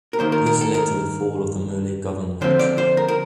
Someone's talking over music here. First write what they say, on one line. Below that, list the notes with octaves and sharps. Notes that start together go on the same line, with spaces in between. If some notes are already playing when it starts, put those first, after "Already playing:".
This led to the fall of the Mollet government.
A#4
D#3 A#3 C5
A#4
A#4
A4
A#4
D3 F3 A3 C4 C5
D5
C5
A#4
A#4